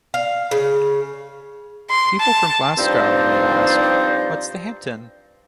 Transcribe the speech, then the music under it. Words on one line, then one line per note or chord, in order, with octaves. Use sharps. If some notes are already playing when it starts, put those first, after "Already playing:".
People from Glasgow may ask, What's the Hampden?
F5
C#3
C6
A5
G2 F3 C4 D#4 C5 D5